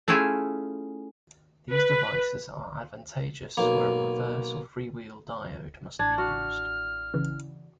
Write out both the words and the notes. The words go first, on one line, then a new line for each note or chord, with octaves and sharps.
These devices are advantageous where a reverse or freewheel diode must be used.
A3 C#4 E4 F4 G#4
B4
B1 A#3
A1 D4 G#6
F#4 F6
C#3 E3